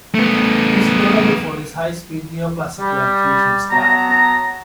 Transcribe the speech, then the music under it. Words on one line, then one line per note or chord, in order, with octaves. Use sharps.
He is notable for his high-speed neoclassical and fusion style.
A3 B3
G3
F#3 B3 A5 A#5